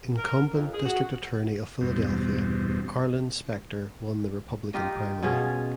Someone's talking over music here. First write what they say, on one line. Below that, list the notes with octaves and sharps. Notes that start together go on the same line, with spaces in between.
Incumbent District Attorney of Philadelphia Arlen Specter won the Republican primary.
A#4
F2
G#4
F#4
E2 G2 B2 C4
D#4 F4 G4 D#5
B2 C#4 F4 G#4